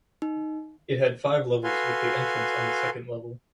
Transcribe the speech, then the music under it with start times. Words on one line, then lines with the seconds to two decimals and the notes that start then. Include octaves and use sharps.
It had five levels with the entrance on the second level.
0.22 D#4
1.64 F#4 A4 B4 F5 G#5 C6